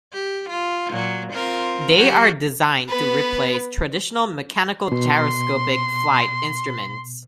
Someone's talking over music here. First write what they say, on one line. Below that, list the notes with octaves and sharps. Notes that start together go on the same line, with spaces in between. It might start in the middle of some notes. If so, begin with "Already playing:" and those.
They are designed to replace traditional mechanical gyroscopic flight instruments.
G4
F4
A#2 F#3
C4 F4 A#4
F#3 F#4 G4
B3 B4
B2 C6